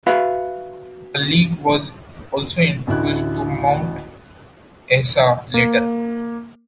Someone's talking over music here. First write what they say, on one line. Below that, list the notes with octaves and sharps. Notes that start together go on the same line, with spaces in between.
A league was also introduced to Mount Isa later.
F#4 B4 E5 F5 B5
A1 D2 D3 E4 F#6
A#3